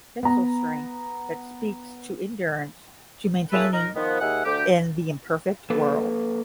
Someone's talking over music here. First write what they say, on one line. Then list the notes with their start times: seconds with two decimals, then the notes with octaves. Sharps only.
Tensile strength, that speaks to endurance, to maintaining in the imperfect world.
0.23 B3 A#5
3.51 A#3 C#4 E4 G#4 A4 B4
3.73 D#4 A#4
3.95 D#3 F3 B3
4.20 D#2 D#4 G#4 E5 F#5
4.44 D2 G4
5.70 A#3 A4 B4